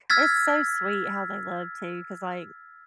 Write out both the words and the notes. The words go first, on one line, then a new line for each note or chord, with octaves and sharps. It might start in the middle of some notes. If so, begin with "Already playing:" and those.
It's so sweet how they love too, 'cause, like,
E6 F6 G#6 A6 B6